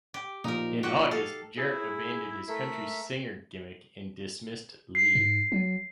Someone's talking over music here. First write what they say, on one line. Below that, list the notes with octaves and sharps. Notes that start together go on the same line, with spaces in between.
In August, Jarrett abandoned his country singer gimmick and dismissed Lee.
G4
A#2 F3 D#4 A#4
F#4 G4
A4 F5
E4 G#4
A3 A4 A#4 E5 B6
C7
G#2
F#3